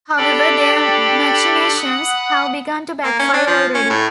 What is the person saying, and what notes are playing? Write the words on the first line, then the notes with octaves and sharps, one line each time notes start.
However, their machinations have begun to backfire already.
D4 G4 A4 D5 G5 B5
F#5 B5 D#6 F#6
A#3
C#4
D4
F3
C#4
A2